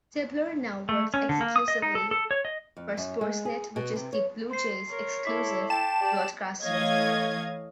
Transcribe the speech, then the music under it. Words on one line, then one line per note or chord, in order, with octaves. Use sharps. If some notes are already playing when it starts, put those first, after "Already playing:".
Tabler now works exclusively for Sportsnet, which is the Blue Jays' exclusive broadcaster.
A3
C#4
D3
A#3
D#6
D#5
D#4
A4
A4
C#5
D#5
F2
F#2
G#3
G#4
B2
C3
C#5
C5 C6 C7
A#4 C#5
E4 A4 D6 B6
G5 A5 E7
G4 D5
E3 A3 C#5 D#5 F5 G#6